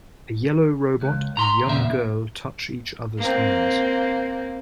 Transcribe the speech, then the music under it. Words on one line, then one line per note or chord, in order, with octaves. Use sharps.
A yellow robot and young girl touch each other 's hands.
C#2
A#5 C6
E2 A#2 C#3 E5
A#3 C4